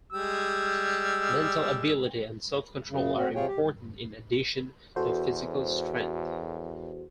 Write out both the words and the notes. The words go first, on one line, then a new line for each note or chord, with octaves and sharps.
Mental ability and self-control are important in addition to physical strength.
G3 G#3 E6
F#2 C#3
C4 F#4
C3 F4 G#4 C#5 G5
G4
E2 F#4 A4 C5